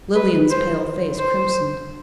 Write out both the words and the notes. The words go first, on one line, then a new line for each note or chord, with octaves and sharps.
Lilian's pale face crimsoned.
B4
C5
C5